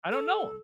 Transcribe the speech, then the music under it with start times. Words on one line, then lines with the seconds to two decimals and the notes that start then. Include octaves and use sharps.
I don't know 'em,
0.12 A4